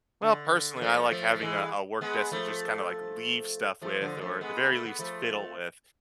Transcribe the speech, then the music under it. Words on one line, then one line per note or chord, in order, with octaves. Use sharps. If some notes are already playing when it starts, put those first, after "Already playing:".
Well, personally, I like having a a work desk that just kinda, like, leave stuff with or- at the very least- fiddle with,
D3
B3
F3 A3
F3 A3
A3
E3 G#3
G#3 B3
F3 A3
F3 A3
D3 F3
G#3
F3 A3
G#3 B3
A3
B3
F3 A3